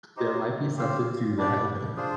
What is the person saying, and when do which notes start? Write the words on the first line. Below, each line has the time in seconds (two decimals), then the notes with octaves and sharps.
there might be something to that.
0.16 D#4 G4 C5 D#5
0.76 C4 G4 C5 F5
1.37 G3 D4 G4 D5
1.97 D4 F4 G#4 C5